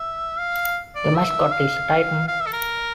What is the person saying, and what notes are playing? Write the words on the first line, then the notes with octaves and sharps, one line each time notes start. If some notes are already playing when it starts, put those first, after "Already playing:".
The mascot is a Titan.
Already playing: E5
F5
D5
E5
F5
F5
E5
A4
A#4